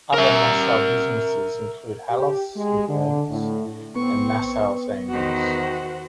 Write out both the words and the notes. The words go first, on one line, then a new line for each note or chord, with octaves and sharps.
Other Massow businesses include "Halos and Horns" and "Massows Angels".
A#4 E5
G4
G#3
D3
A2
B3 C4 C#6
E2 D#3 F#4 C5